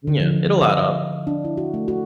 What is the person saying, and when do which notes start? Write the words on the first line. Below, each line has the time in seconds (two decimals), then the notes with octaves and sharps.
Yeah, it'll add up.
0.07 D3
0.20 F3
0.61 D#5
0.79 F5
1.27 D4
1.45 E4
1.57 F#4
1.74 A3
1.88 F#4